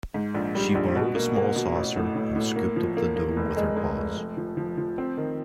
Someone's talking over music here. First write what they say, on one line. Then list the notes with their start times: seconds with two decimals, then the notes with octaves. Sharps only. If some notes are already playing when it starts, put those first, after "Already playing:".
She borrowed a small saucer, and scooped up the dough with her paws.
0.14 G#2
0.34 A#1
0.55 G3
0.75 A#1
0.95 B2
1.15 A#3
1.36 A#3
1.56 B2
1.76 A1
1.96 A2
2.16 A2
2.36 A2
2.56 A#3
2.76 F3
2.97 A#3
3.16 A#3
3.36 F1
3.57 G#3
3.76 G#3
3.97 F1
4.17 F1
4.37 F3
4.57 F3
4.77 F3
4.98 C4
5.17 D#3